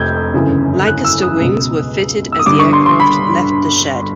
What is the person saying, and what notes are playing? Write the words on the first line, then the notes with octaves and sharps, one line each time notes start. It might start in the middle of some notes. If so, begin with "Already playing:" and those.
Lancaster wings were fitted as the aircraft left the shed.
Already playing: F1 F2 C3 G6 G#6
G1 F#2 C#3 E3
F#6
E6
D#6
C#2 B2
E6
D#6
G1 G2 D3 D6
C#6
C6
C6
B5